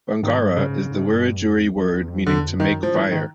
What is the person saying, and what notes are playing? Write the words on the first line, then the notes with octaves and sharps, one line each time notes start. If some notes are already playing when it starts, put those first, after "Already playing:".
Bangarra is the Wiradjuri word meaning "to make fire".
G#2 D#3
G2
C#3
G#2
G#2
G2
F#2
F2
F2
E2
F2
E2 D3
F#2
D#3
F#2
G2 F3
G#2 E3
D#3